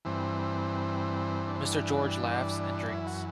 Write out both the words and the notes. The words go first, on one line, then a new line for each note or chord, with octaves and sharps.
Mr. George laughs and drinks.
G2 E3 C4
D4
C4
D4
F#2 E3 E4
F#4